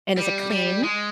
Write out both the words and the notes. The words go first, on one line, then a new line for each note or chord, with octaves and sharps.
And is it clean?
G3
G3
G#3